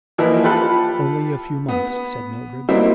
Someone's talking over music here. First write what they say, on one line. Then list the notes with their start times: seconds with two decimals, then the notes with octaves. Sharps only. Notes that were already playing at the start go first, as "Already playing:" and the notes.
'Only a few months,' said Mildred.
0.18 E3 F3 A#3 D#4 E4
0.44 F4 G4 A4 B5 F#6
1.68 B3
2.69 F#3 G3 A#3 C4 D#4 E4